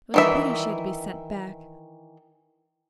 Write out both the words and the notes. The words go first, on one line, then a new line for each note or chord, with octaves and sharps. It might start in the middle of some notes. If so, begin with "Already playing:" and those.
It was a pity she had to be sent back.
D#3 E3 E5